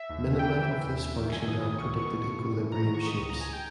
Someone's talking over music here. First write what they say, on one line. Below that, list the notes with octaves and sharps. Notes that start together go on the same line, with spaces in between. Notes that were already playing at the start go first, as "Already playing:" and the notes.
Minima of this function are predicted equilibrium shapes.
Already playing: E5
D#2
D#3
E3 G5
E3
E5
E3
D#2
D#2
D#3
G2 G#5
D#3 D#6
D#3 D#6
C#2 C#6
B2
C#6
B2
G2
G2
E3
G#2 A#5
D#3 A#5
C#6
G#2 D#6
C#2
C#2 A#5
G#5
G5